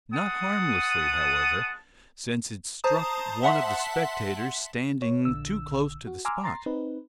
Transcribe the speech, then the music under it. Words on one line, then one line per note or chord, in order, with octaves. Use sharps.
Not harmlessly, however: since it struck one of the spectators standing too close to the spot.
G#3 F#5 A5 D#6
C5 A5 A#5 D#6
E5 F#5 A5 C6 B6
C#5
A#1 D3 E6
F#4
G#5 A#5 C6 D6 E6 F6
A#5 C6 A6 A#6 C7
C4 D#4 B4